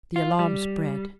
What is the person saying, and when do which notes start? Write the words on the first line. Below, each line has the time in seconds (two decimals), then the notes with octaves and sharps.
The alarm spread.
0.16 F4
0.39 G3